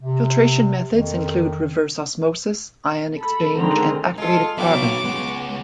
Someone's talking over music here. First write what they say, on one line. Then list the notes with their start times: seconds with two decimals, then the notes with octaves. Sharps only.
Filtration methods include reverse osmosis, ion exchange and activated carbon.
0.02 C3
0.91 F2 D#3
3.17 A4 B5
3.55 D3 D#3 G#3 C4 A#5 C6
4.18 G#3 F4 A4
4.58 F#3 B3 C#5 E5 F5 G5 D6
5.05 C#2 G#3 B3